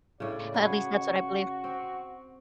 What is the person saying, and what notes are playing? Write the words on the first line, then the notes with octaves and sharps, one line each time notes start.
At least, that's what I believe.
A2 C#3 D5
F#4 G#4 B4
C4